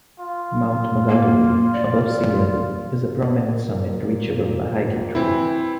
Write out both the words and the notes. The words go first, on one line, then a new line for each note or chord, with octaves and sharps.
Mount Magalloway, above sea level, is a prominent summit reachable by hiking trail.
F4
A#3
D5
A#2
E3 C4 E4